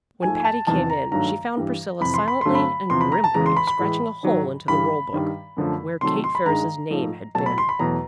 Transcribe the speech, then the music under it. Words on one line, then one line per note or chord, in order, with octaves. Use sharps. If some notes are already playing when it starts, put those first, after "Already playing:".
When Patty came in she found Priscilla silently and grimly scratching a hole into the roll-book where Kate Ferris's name had been.
G#2 F3 A3 G#5
G#5
A5
E2 C3 D#3 A5
A#5
G2 D#3 F#3 A3 A#5
G2 E3 G3
F2 C3 E3 B5
C6
B5
G2 D3 F#3 A3 C6
B5
E2 C3 F3 C6
B5
A#5
A5
E2 C#3 E3 G#3 A#5
C6
B5
B5
A2 E3 G#3
G#2 D#3 F#3
G2 E3 G3 B5
G2 D#3 G3
F#2 D3 F3 A3
C3 D#3 F#3 A3 C6
C6
B5
G2 D#3 G#3 A#5
G#2 F3 A3
B2 F#3 A3 A5
B5
C6
B5
E2 B2 F#3 A3 A#5